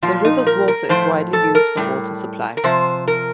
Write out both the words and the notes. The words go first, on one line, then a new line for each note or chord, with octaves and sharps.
The river's water is widely used for water supply.
A#2 F3 F4
D#4
A#4
A#4
A2 F3 C5
A4
A#4
A2 G3
A#4
C3 F3 C5
A#4